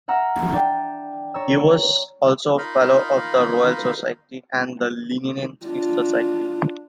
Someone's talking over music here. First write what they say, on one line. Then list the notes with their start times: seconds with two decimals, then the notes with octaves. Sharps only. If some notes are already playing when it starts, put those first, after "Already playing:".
He was also a Fellow of the Royal Society and the Linnean Society.
0.08 E5 F#5 A#5 E6 F6
0.52 D4 D5 G5
1.34 C#5 D5 A#5 E6
2.58 D#4 F4 A#4 D#5 F5 B5
5.66 D4 F4